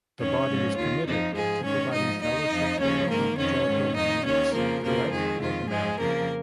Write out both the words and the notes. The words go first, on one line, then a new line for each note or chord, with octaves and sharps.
The body is committed to providing fellowship for evangelical Mennonites throughout North America.
F2 D#3 C#4 C#5
G#2 F3
D#2 D#3 F4
F2 F3 D#4
G#2 F3 G#3 G#4
G#2 D#3 C#4 C#5
G#2 F3 D#4 D#5
D#2 D#3 D#4 D#5
F2 F3
D#2 C#3 F3 C#4 C#5
G#2 D#3 A#3 A#4
F2 D#3 C#4 C#5
G#2 D#3
F2 D#3 D#4 D#5
D#2 D#3 C#4 C#5
F2 C#3 F3 A#3 A#4
F2 C#3 F3 A#3 A#4
F2 D#3 G#3 G#4
F2 D#3 F4
G#2 F3 G#3 G#4
F2 C#3 F3 A#3 A#4